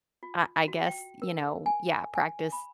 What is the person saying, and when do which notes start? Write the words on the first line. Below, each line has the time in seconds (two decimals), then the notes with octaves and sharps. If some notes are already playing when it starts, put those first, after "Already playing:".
ah I guess, you know, yeah, practice
0.23 F4
0.68 F#4
0.87 G5
1.22 A#4
1.66 G#5
2.15 G#5
2.52 B5